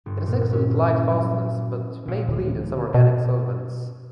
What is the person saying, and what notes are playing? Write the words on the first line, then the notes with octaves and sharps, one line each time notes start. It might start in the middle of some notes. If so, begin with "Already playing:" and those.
It has excellent light fastness, but may bleed in some organic solvents.
G1
A#2
C#4
E4
F#3
A#2
D1
B2